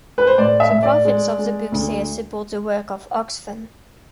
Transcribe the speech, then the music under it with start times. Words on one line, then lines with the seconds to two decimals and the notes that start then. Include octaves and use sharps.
The profits of the book sales support the work of Oxfam.
0.18 B4
0.27 C5
0.38 A2 D5
0.60 E5
0.71 A2
0.83 D5
1.05 G#3
1.38 G#3
1.72 D2